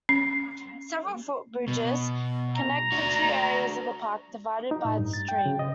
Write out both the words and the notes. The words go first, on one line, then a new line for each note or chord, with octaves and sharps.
Several foot bridges connect the two areas of the park divided by the stream.
C#4
B2
A#5
D4 F#4
D#4
A2
G2
A6
G5
C#3
D#5